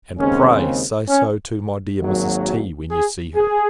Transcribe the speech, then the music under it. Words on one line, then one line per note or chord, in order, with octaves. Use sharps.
And, pray, say so to my dear Mrs. T. when you see her.
D#2 C#3 G#3 C4 C#4
C#4
G#1 G#2 F#3 A#3
G#4
G#4